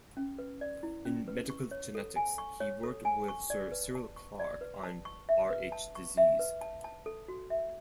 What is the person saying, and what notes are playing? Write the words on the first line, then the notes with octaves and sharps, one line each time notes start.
In medical genetics, he worked with Sir Cyril Clarke on Rh disease.
C#4
B4
D5
E4
C#4
B4
C#6
C#5
A4
G#5
C#6
C#5
A4
G#5
C#6
D5
B4
A5
C#6
D5
B4
A5
C#6
E5
B4
A5
C#6
E5
B4
A5
A5
A4
F#4
E5